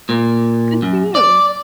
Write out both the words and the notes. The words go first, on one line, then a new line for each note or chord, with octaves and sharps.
Good for you!
A#2
F#2
D5